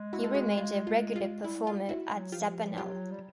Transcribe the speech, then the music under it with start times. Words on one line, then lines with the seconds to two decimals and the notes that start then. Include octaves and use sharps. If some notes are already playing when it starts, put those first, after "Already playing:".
He remains a regular performer at Zappanale.
Already playing: G#3
0.13 E4 F#4
0.24 A4
0.34 F#4 G#4
0.57 F4
0.87 F4
1.16 F4
1.44 G3 E4
1.67 F4
1.89 E4 F#4
2.11 F#3
2.32 F3 F4 G4
2.78 F#3 F4 G4
3.11 G3